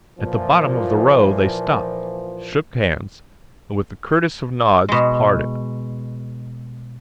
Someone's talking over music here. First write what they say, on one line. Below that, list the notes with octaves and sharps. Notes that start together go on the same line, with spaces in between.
At the bottom of the Row they stopped, shook hands, and with the curtest of nods parted.
A#2 E3 F3
B2 G#3